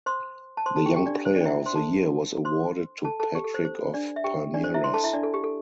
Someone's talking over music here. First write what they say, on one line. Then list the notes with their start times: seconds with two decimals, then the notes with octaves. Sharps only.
The Young Player of the Year was awarded to Patrick of Palmeiras.
0.06 C5 C6
0.57 A5
0.66 C5 C6
0.76 A4 A5
0.86 G4 G5
0.96 G4 G5
1.06 D4 D5
1.25 C5
1.36 D4 D5
1.41 G5
1.45 E4 E5
1.66 C5 C6
1.75 A4 A5
2.45 C5 C6
3.05 A4 A5
3.20 A4 A5
3.35 G4
3.44 A4
3.54 C5
3.65 C5
3.94 D4 D5
4.16 E5
4.24 G4 G5
4.54 D4 D5
4.64 C5
4.74 E4 E5
4.84 C5 C6
4.94 A4 A5
5.04 E4 E5
5.13 D4 D5
5.23 A4
5.34 G4
5.44 A4